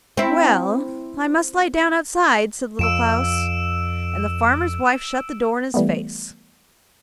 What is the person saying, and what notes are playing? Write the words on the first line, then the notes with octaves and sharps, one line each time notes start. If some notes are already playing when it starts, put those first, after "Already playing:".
'Well, I must lie down outside,' said Little Klaus; and the farmer's wife shut the door in his face.
C4 E4
F2 E6 D7 E7
E3 G3 A3 B3